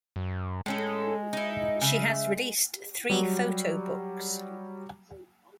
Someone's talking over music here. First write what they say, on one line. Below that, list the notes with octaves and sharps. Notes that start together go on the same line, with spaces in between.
She has released three photobooks.
F#2
A2 G#3 C#4 A4
D#4 E4
C#3 E5
F#3 G3